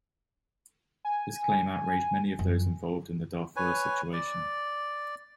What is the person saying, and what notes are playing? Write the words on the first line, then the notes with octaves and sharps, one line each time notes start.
This claim outraged many of those involved in the Darfur situation.
G#5
F#2
B4 C#5 G#5
D5